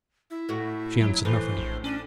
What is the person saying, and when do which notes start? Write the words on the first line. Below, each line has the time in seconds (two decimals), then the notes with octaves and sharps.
She answered nothing.
0.30 E4
0.49 A2 F#4
1.01 F#3
1.25 A2 E3 C5
1.57 A#1
1.84 C#4 D4